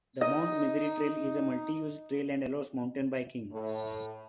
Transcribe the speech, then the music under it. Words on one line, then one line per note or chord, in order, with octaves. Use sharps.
The Mount Misery Trail is a multi-use trail and allows mountain biking.
D#4 D#5
A2